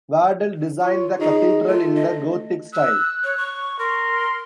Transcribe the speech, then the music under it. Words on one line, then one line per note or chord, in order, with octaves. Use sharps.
Wardell designed the cathedral in the Gothic style.
F4 C#5
D#4 G#4
A3 F4
D#5
E6 F#6
C#5
C#6
A#4 C6